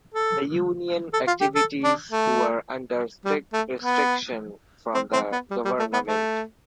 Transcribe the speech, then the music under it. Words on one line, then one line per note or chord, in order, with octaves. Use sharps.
The union activities were under strict restriction from the government.
A4
A4
F4
G4
A4
D4
A3
G3
A3
B3
C4
C4
B3
G3
G3
A3
B3
A3